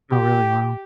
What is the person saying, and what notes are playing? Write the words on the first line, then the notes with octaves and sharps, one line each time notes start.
Oh, really? Wow.
G4